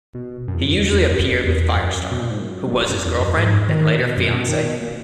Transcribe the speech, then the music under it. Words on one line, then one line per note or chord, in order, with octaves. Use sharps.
He usually appeared with Firestar, who was his girlfriend then later fiancee.
B2
F#2
E2
F#2
E2
F#2
E2
F#2
B2
A#2
G#2
F#2
G#2
A#2
F#2
E2
F#2
G#2
D#3
B2
F#2
A#2
B2
D#3
B2
A#2